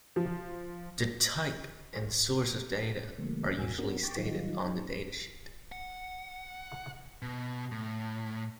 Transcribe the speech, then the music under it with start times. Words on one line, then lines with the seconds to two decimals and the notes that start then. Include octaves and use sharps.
The type and source of data are usually stated on the datasheet.
0.16 F3
3.18 C#3 E3 G3 A3 A#3
3.58 E2 B2 G3 F#4 G#5 E6
3.78 B3 C#4 D4 F#4 A#4
4.03 G5 C#6 D6 A6
4.17 D#3 F#3 G3 D#4 F4
4.58 D#4
5.72 F#5
7.22 B2
7.72 A2